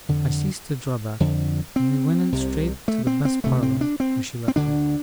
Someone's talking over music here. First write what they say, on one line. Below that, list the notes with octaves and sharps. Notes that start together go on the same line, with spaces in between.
I ceased to draw back, and we went straight to the best parlour, where she left me.
F2 D3
F2 D3
C4
C2 C3
A3
C4
C4
D2 C3 A3
C4
D4
C4
C4
D2 D3 D4